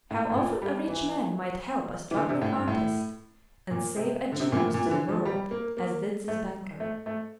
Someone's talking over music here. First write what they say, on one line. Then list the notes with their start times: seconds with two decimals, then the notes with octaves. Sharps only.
How often a rich man might help a struggling artist, and save a genius to the world, as did this banker!
0.11 A2
0.30 A2
0.36 A#2
0.62 G3
0.88 E3
2.11 E3
2.16 D3
2.29 C3
2.42 A2
2.55 G2
2.68 A2
3.71 A#2
3.96 C3
4.32 D3
4.40 C3
4.52 A#2
4.57 A2
4.74 A#2
4.86 E3
4.91 D3
5.08 F3
5.25 G3
5.51 A#3
5.77 A#3
6.28 A3
6.80 A3
7.06 A3